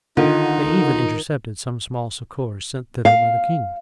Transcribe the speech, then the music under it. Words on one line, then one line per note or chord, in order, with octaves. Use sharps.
They even intercepted some small succors sent thither by the king.
D3 D#3 D#4 F4
F5